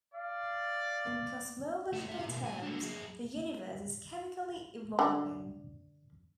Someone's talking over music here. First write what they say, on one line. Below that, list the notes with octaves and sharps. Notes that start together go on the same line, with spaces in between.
In cosmological terms, the universe is chemically evolving.
D5 F5
A3 D#4
G4 E5
B2 A#3
A2 G#5
D4 F#4
F#3 G#4
D3